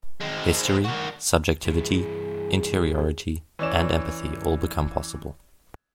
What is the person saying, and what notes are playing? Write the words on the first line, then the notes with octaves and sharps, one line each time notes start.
History, subjectivity, interiority, and empathy all become possible.
G#3 C4
D#3 F#4
G2 E3 G#4
E3 C#4 D5 E7